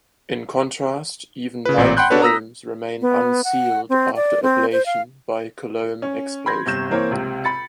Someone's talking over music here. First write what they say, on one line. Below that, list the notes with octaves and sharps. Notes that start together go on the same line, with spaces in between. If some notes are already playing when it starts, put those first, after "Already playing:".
In contrast, even light foams remain unsealed after ablation by Coulomb explosion.
C#3 B4
A1 A#2 C4 D5
F#5 G5 B5 C6 F#6 G6
B3 D4 F#4 A4 B4 C#5
A#5 D#6 E6 A#6 B6
B3
F#5
C4
D5
C4
C5
F5
C#4
B5 C6 G6 G#6 A#6
G1 C3 G6 E7
E3 A#3 C4 C#5
C#2 C3
B5 A6 C#7